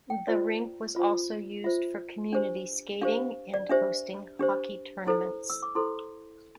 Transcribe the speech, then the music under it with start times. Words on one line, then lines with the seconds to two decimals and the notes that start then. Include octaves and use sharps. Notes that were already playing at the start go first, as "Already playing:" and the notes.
The rink was also used for community skating and hosting hockey tournaments.
0.10 G5
0.27 F4 C5 D5
0.96 F4 C5
1.64 F4 C5 E5
2.33 D4 G4 C5
3.01 D4 G4 C5 F5
3.54 D5
3.70 D4 G4 C5 E5
4.39 D4 G4 C5
5.07 E4 A4 C5
5.50 E6
5.63 D6
5.75 E4 A4 C5 C6